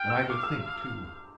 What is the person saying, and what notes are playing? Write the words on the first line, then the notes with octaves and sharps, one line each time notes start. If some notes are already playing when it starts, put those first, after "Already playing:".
And I could think, too.
Already playing: G5 F6
E6
F5 D6
E6